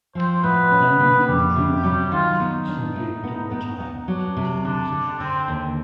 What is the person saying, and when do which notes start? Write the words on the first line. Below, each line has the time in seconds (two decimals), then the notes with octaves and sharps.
Then he withdrew from politics, and lived in retirement until his death.
0.15 F3 C4 C5
0.43 A2 B3 B4
0.71 C#4
1.00 A#3
1.27 F2 G3 G4
1.56 C3
1.83 F#3 G3 G4
2.11 D#3 F4
2.40 B3 D#4
2.68 D4
2.96 A2
3.23 B3
3.51 B3
3.80 B3
4.08 F#3 D4
4.37 C3
4.64 D3 D4
4.92 D3
5.20 D3 C4
5.48 D#2